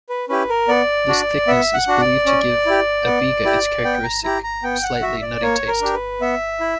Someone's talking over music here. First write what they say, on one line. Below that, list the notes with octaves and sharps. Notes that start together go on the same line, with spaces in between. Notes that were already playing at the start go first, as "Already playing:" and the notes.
This thickness is believed to give a Biga its characteristic slightly nutty taste.
B4
C#4 E4 G4 B4
A#4
B3 D5
D4 F#4
B3 E5
F#5
D4 F#4
D5
C#4
E4 G4
B3
E4 G4
B3 G5
A#5
E4 G4 A#5
A#5
B3 G5
F#5
F#4 E5
D5
A#3 C#5
A#4
D4 G4
B4
B3 E5
E4